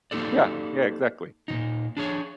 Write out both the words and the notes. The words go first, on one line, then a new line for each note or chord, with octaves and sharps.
Yeah. Yeah, exactly.
A#3 D#4 G4 A4 D5
A#2 C#3 D#4
D4 G#4 C#5